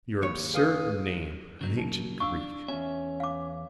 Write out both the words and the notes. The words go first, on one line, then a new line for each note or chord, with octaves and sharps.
Your absurd name, an ancient Greek!
D#2 C#5
G#4 B4 F5 D#6
C#3 F#3 A#3
D#4
D4 F5 C#6 E6
E2 C#4 E5
F5 D6